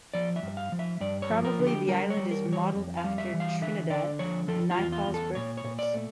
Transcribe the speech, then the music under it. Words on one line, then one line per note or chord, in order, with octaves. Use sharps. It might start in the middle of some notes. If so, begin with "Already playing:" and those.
Probably the island is modeled after Trinidad, Naipaul's birthplace.
F3 D5
E5
G2
F5
F3
E5
G2 D5
C#5
F3
A#4
D3
G4
G3 A#4
C#5
G3
A#4
E3
C#5
F2
F5
G3
E5
E3
F5
D3 E5
D3 D5
F3 C#5
F3 A4
F4
E2
F4
E2
A4
A#2 C#5
C#5
A#2
D5
A3